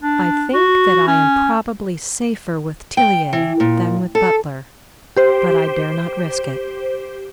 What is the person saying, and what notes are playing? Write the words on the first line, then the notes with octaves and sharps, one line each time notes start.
I think that I am probably safer with Tillier than with Butler, but I dare not risk it.
D4
F#4
C#4
G5
E3
A#2
A4
G4 C5